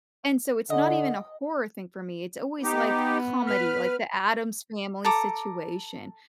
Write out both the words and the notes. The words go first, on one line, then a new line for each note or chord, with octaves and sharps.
and so it's not even a horror thing for me, it's always like comedy, like the Addams Family situation,
D3 D#5 F#5
B3 D#4 G4
B4 F6
A4 A#5 D6